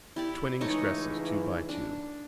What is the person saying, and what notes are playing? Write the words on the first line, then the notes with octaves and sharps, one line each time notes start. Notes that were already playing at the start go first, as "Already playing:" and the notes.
The twining stresses, two by two.
E4 G4 D5
C#2 E3 A3 D#4 C#5
D4